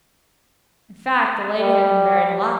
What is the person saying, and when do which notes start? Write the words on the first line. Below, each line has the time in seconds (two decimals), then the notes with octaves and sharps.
In fact, the lady had been buried alive.
1.59 G3